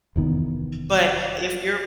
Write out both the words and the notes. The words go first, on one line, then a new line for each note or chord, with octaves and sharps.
but if you're
F1 E2 D#3 B3